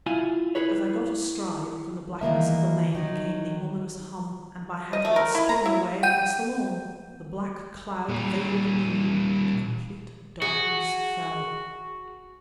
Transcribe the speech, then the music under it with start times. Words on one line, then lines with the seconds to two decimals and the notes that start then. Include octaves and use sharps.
As I got astride, from the blackness of the lane came the ominous hum, and my hat went spinning away across the lawn!--the black cloud veiled the moon and complete darkness fell.
0.06 E4 F4 G#5
0.55 E4 G#4 B4 C#5
2.21 D#3 E3 A#3 E5
2.95 D#3 F#3 D#4
4.93 D#5
5.05 A3
5.16 A#4
5.35 E4
5.49 A#5
5.66 E4
6.03 F#5 G5 G6 D#7
8.09 A#2 G3
10.42 F#4 G#4